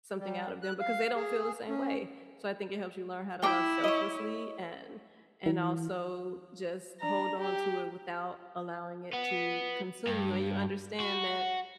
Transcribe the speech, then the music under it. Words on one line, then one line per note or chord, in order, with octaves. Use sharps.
something out of them because they don't feel the same way. So, I think it helps you learn how to love selflessly and and also just hold onto it without allowing it to consume you, and you understand that
G3
F#6
F5
G#4
C#4
E4 G5 D6
C#5 D#5
E3
D4 A#5
G4
B3
G2
F#4